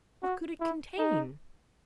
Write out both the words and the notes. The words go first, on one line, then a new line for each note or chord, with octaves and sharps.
What could it contain?
F#4
E4
D#4